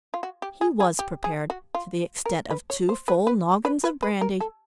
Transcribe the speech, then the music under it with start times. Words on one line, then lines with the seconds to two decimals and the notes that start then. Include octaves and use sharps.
He was prepared to the extent of two full noggins of brandy.
0.14 F4
0.23 F#4
0.42 G4
0.61 G#4
0.80 G#4
0.99 G4
1.24 G#4
1.50 F#4
1.75 F4
2.26 A#4
2.51 B4
2.70 C#5
2.89 C5
3.08 B4
3.27 B4
3.65 B4
3.84 B4
4.02 B4
4.21 A#4
4.40 A4